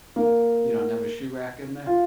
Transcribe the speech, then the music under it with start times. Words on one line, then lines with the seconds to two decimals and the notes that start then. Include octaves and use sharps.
You don't have a shoe rack in there?
0.16 A#3
1.86 F4